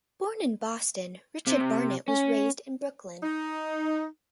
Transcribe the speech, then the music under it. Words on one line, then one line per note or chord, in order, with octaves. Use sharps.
Born in Boston, Richard Barnet was raised in Brookline.
C3
C#4
D#4